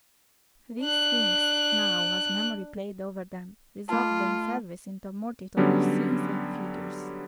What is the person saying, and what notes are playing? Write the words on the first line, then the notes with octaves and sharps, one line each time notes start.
These things now, as memory played over them, resolved themselves into a multitude of scenes and figures.
D4 F#6
A3 F4 A5
D3 F#3 G3 B3 C#4